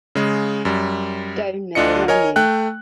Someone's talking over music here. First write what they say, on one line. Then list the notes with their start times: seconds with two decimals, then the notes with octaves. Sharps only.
Don't know any.
0.15 C#3 G#3
0.65 F#2 G3
1.75 D2 D3 D4 F4 D#5 C#7
2.08 A#4 C#5 D#5 G#5
2.36 A3 G5 F#6